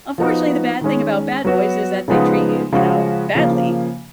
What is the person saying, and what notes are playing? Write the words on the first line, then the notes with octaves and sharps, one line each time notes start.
unfortunately, the bad thing about bad boys is that they treat you, you know, badly.
F3 B3 D#4 F#4
D#3 G#3 C#4
F#3 B3 F#4 B4
C#3 F3 G#3 B3 D#4
C#3 F3 G#3 C#4 F#4
C#3 F3 A#3